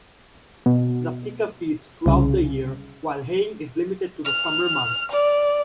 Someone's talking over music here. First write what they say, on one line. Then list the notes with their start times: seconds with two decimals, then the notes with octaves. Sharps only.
The pika feeds throughout the year while haying is limited to the summer months.
0.66 B2
2.06 C2 C#3
4.25 F6
5.11 D5